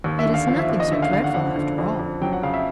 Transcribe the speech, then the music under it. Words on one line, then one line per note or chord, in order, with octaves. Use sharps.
'It is nothing so dreadful after all!
D#2
E5
D3
F5
F3 F5
E5
D#2
D#5
D3 E5
F5
D3 F5
F#5
F2 F#5
D3
F2
F2
F#3 G5
F#5
C#3 F5
E5